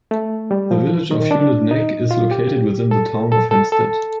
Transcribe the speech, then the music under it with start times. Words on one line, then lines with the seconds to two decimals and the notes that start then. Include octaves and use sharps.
The Village of Hewlett Neck is located within the Town of Hempstead.
0.11 A3
0.51 G3
0.71 F3
1.11 D#3
1.31 D4
1.71 D#4
2.11 F4
2.31 G4
2.91 A4
3.32 A4
3.51 A4
3.72 A4